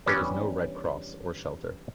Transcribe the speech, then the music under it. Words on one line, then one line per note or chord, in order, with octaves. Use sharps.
There was no Red Cross or shelter.
E3 G3 B3 C#4 D4